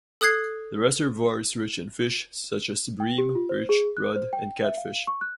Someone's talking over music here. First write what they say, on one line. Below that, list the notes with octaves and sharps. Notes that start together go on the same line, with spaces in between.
The reservoir is rich in fish such as bream, perch, rudd, and catfish.
A4 D#6 F#6 G#6 C7
G5
G4
F4
C5
G#4
F#6
C5
G5
E5
F5
C#6
F#6